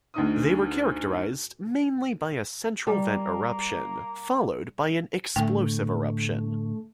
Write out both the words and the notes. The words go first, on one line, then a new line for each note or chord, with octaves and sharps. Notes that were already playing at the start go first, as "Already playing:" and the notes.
They were characterized mainly by a central vent eruption, followed by an explosive eruption.
D2 D#4 D#6
G3 A#3
A2 D3 A3 G5